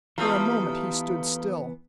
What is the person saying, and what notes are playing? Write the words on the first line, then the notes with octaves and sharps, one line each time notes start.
For a moment he stood still.
E3 G3 A3 B3 F4 A#5 D#6